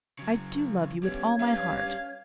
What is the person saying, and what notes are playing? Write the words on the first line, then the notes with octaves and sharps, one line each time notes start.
I do love you with all my heart.'
C#3 F#3
G3 B3 C#4 C#5 G#6
G3 B4 F5